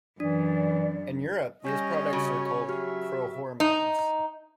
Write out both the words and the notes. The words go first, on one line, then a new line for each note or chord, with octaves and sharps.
In Europe these products are called prohormones.
F#2 E3 D4 D5
G3 C#4 D#5 G#5 G6 A#6
C#3 F#4 C#6
F#3 F#4 G4 E5 F6
D#4